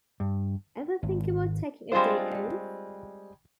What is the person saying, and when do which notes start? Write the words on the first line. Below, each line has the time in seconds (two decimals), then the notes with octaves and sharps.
Ever think about taking a day off?
0.20 G2
1.03 G#1
1.92 G3 G#3 C4 D4 F4 C5